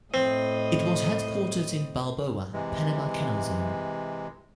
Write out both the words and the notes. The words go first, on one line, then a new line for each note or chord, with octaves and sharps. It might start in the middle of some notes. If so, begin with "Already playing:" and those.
It was headquartered in Balboa, Panama Canal Zone.
A2 C4 D#5
C3 E3 G#3